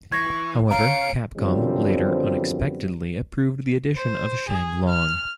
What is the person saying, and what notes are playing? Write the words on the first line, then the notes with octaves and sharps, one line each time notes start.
However, Capcom later unexpectedly approved the addition of Sheng Long.
E3 C#6 G#6 A#6
C#3 C#4 F5 A#5 C#7 D7
F#2 D3 F3 G3 B3 C4
C5
G#4
F6